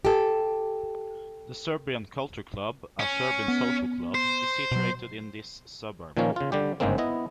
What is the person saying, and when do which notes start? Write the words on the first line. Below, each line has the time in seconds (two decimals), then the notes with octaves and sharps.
The "Serbian Cultural Club", a Serbian social club, is situated in this suburb.
0.05 G4 A4
3.00 C#4
3.48 B3
4.15 C5
4.71 B2 F#3
6.17 A#2 D#3 F3 A#3 C#4
6.36 C#3 F4
6.52 D3 G3 G4
6.80 G1 G#2 C#3 G#3 A#3 C4
6.98 B3 E4 D#5